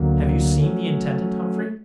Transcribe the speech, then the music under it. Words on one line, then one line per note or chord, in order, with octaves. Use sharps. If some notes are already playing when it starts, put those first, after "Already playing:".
"Have you seen the intendant, Humphrey?"
Already playing: D2 D3 F#3 A#3
F#3 A3 C#4